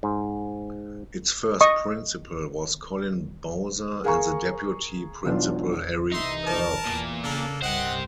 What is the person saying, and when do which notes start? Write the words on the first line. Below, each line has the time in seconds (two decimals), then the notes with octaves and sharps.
Its first Principal was Colin Bowser and the Deputy Principal Harry Earp.
0.03 G#2
1.61 D#5 C#6 D#6
4.04 G#4 A#4 F5 G#5 A#5 C#6
5.25 E1 B1 B2 D4 F4
6.12 C2 E3 D#4 D#5 E5 C6
6.45 A#4 A5
6.86 E2 A#2 E3
7.22 C#3 A#3 D4 A4
7.62 C2 G2 G4 C5 D#5 F#5